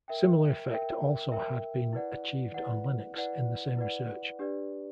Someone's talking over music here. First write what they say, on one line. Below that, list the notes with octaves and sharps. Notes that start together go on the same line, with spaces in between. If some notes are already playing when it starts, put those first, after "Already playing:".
Similar effect also had been achieved on Linux in the same research.
A#4 E5 G5
A#4 E5 G5
A#4 E5 G5
E4 B4 D5 F#5
E4 B4 D5 F#5
E4 B4 D5 F#5
E4 B4 D5 F#5
D4 G4 B4 D5